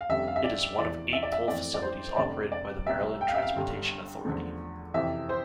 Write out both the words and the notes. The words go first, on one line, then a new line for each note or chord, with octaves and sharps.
It is one of eight toll facilities operated by the Maryland Transportation Authority.
F5
F1 F2 D3 G3 E5
F5
E5
D5
F1 E2 E3 D5
E5
D5
E5
F2 E3 A3 D5
D5
C5
F1 F2 D3 G3 D5
D5
C2 A#2 G3 E5
G5
F5
E5
F5
G1 G2 D3 G3
E2 D3 F3 A3
F2 C3 E3 E5
C5